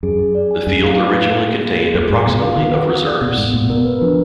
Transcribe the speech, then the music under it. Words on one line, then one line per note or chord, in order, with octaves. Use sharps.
The field originally contained approximately of reserves.
F#2 G#4
G#4
D5
G#5
F#2 G#5
F5
B4
F5
D#4
G#4
A#3
G#4
F#2 F#4
G#2 F#4
B2 F#4
D3 F5
D#3 B4
F#5
F#5
D5
B2 B3
G#2 B3
A#2 B3
B2 A#4
B4
F3 D4